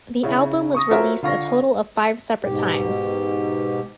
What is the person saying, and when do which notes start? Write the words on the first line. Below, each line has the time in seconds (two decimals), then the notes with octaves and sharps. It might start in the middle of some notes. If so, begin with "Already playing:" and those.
The album was released a total of five separate times.
0.23 C#3 E4 C#5
0.75 C#6 D#6 A#6
0.91 F4 F#4 A#4 C5 C#5 E5
1.22 D3 F4 F5 C#6 A#6
2.42 G#2 B2 G4